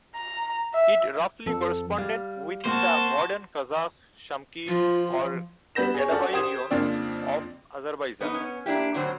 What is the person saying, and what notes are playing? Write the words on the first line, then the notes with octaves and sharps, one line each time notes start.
It roughly corresponded within the modern Qazakh, Shamkir or Gadabay raions of Azerbaijan.
A#5
E5
F2 A4
G3 F5
A#3 C4 F#4 C5 A5
F3 F4
G3 B3 B5 G6 A#6 E7
G#4 C#5
C#4 F#4 A4 D5
G4 C5 G5 D#6 G#6 E7
F2 C#3 F3 A#3 C4 D4
B3 D4 D#4 D#5
B3 C#4
A#3 D4 E4 G4
A2 D3 F#3 C4 C5